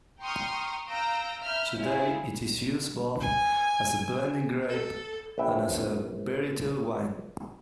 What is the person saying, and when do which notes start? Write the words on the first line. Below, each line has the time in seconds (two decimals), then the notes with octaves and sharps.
Today it is used both as a blending grape and as a varietal wine.
0.20 G5 A#5 C6 C#6 D#6 F6
0.89 F5 A#5 E6 G6 A#6 D7
1.42 E5 B5 F6 G6
1.77 E4 F4 G#4 D5
3.20 G#5
4.69 A4
5.38 A#1 B4 E5 G5